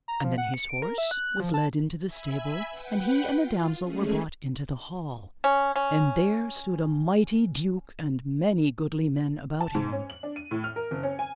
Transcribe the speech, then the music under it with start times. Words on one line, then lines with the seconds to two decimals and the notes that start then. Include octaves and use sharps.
And then his horse was led into the stable, and he and the damosel were brought into the hall, and there stood a mighty duke and many goodly men about him.
0.08 A#5
0.24 F3
0.38 F#5
0.54 C#7
0.69 D7
0.82 A#4
0.98 E5
1.11 F#6
1.40 F3
1.54 A5
2.06 E5 G#5 B5 E6
2.69 B4 F#5 G5
3.37 F4
3.80 G#3 A3 C#4 G#4
5.44 C#4
5.76 C#4
9.61 A5
9.75 G#2
9.92 C#4
10.10 F#7
10.23 D4
10.36 D#7
10.51 A2
10.64 F6
10.76 A#4
10.91 F#1
11.03 C#4
11.19 G#5